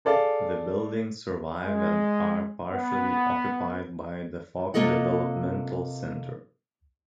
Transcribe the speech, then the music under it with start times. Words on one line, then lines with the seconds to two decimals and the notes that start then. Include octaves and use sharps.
The buildings survive and are partially occupied by the Fox Developmental Center.
0.05 G#4 A4 D5 F5
1.65 G#3
2.73 B3
4.74 C3 A#3 F4 A4 D#5 F#5